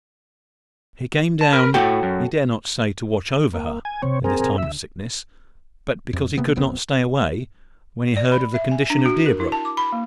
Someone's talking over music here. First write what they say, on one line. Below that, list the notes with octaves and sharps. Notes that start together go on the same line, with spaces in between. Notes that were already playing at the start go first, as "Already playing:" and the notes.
He came down--he dared not say to watch over her in this time of sickness--but because he could not stay away when he heard of the condition of Deerbrook.
A5
A#4 B4
A2 F#4 A4 G5
F#2
A#3
G#5
C3 C4 C#5
E3 A#3 C4 G#4 A#4
G#2 B2
D2 D3 E5
F2
C3 A#3 B3
E1 A#1 B3 C4
D5
B5
E5
G#5
D4
F#4
A#4
E4
A5
D6
B5
A#3